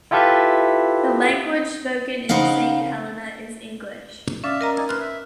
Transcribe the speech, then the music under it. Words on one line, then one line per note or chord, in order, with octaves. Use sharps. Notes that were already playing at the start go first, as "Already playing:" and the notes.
The language spoken in Saint Helena is English.
E4 F4 G4 A4 B4 E5
C#3 D#4 A#4 C5 F5 F#5
C#4 D5 E5 F5
A#4 D#5 A#5
D#4 D5 G#5
B4 C6 F6
E5